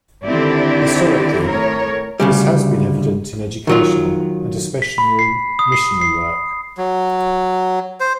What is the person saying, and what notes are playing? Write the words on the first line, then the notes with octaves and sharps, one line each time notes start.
Historically, this has been evident in educational and especially missionary work.
D3 D#3 C4 E4 G4 D5
A2 A#4 C#5
D2 C#3 G3
D#3 F#3 F4
B6
B5
C7
D#6
C7
C7
F#3
C5